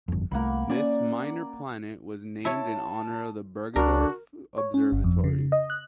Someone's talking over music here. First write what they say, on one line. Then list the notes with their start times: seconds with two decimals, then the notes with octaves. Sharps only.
This minor planet was named in honor of the Bergedorf Observatory.
0.08 G1 F2
0.31 C2 A3 A#3 F#5 B5
0.70 A#3 C#4 D5 G#5
2.45 E4 C#5 A5
3.76 C#2 D4 F#4 A#4
4.58 C#5
4.74 C#4
4.92 G1
5.04 F2
5.24 C#3
5.52 D#5
5.70 F#6